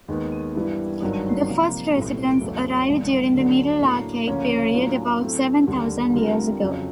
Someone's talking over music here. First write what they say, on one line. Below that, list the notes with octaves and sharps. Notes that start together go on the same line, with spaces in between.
The first residents arrived during the Middle Archaic period about seven thousand years ago.
D#2 D#3 G#3 B3
G2 E3 G3 B3 E4
G#1 G2 D#3 F#3
C3 F3 A#3
B1 A2 E3 G3 C4
E2 C#3 F#3 A3 C#4
A1 G2 D3
D2 D3 F#3
A2 F#3 A#3 D4
D2 C#3 F3 A#3 C#4
A2 F#3 A#3 D4 F4
A2 F#3 A3 C4
D#2 D3 G3
D3 G3 C4 F4 A#4
F2 C#3 F#3